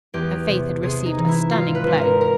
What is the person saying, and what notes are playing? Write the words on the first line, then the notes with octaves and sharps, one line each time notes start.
Her faith had received a stunning blow.
E2 G4
C3
C3 G#4
D#4
E3
E4
G#1 F4
B4
G#1
A#4
A#4